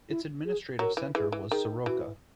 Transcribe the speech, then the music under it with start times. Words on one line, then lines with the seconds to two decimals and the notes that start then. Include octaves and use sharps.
Its administrative centre was Soroca.
0.09 E4
0.44 G#4
0.79 F#3 A#4
0.97 E3
1.15 E3 G#4
1.32 E3
1.51 D#3 G#4
1.86 E3 F#4